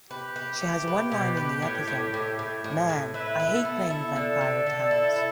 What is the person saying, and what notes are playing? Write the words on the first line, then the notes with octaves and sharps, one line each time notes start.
She has one line in the episode: Man, I hate playing vampire towns.
G4 B4
B4
A3
B4
B2
B4
A2
A2
A2
A2
A2
A2
E4 B4
E4
A4
B3
E4 A4
D3
D3
D3
E4
E4